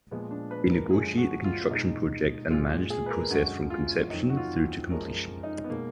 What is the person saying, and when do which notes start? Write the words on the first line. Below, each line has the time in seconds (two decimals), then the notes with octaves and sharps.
They negotiate the construction project and manage the process from conception through to completion.
0.11 A#2 F3 G#3 B3
0.31 D4
0.51 B4
0.71 A#4
0.90 F#2 D3 F3 G#3 G#4
1.17 F#4
1.44 F4
1.70 B2 G#3 D#4
2.50 A#2 G#3 F4
2.90 G#4
3.06 B4
3.10 A#4
3.30 F#2 D3 G#3 F#4
3.70 F4
4.10 F2 D#3 F#3 D#4
4.30 F#4
4.37 F4
4.90 F#2 F3 G#3 A#4
5.43 D#4
5.64 B3
5.70 B2 G#3 A#3